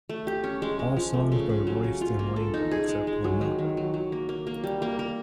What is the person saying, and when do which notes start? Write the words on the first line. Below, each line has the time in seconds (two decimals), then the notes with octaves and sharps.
All songs by Royston Langdon except when noted.
0.09 A3
0.27 G4
0.44 C#4
0.62 G#3
0.79 G#3
0.97 F3
1.14 A3
1.32 C#3
1.49 C#3
1.67 F#3
1.84 C#4
2.01 F4
2.19 A#3
2.36 A4
2.54 D#4
2.71 G#4
2.89 G#3
3.07 G#3
3.24 F#3
3.41 D#3
3.59 D#3
3.77 F#3
3.94 F#3
4.12 A#3
4.29 A#3
4.47 A#3
4.64 G3
4.82 A#3
4.99 A#3